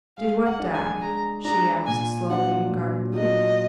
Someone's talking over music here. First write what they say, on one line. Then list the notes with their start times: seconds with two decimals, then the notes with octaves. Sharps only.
"Did what die?" she asked slowly and guardedly....
0.17 G#3 F5
0.46 F#5
0.59 D4 G#4
0.74 G#5
1.02 G#3 A#5
1.45 D4 G#4 A#5
1.86 A#2 G#5
2.30 F#3 D4 F4 F#5
2.71 A#2
3.14 F#3 D4 F4 D#5